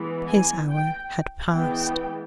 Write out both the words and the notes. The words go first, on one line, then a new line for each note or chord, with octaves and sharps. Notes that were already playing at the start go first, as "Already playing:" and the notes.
His hour had passed.
Already playing: E3 G#3 B3
G#5
G5
E3 G#3 B3 G5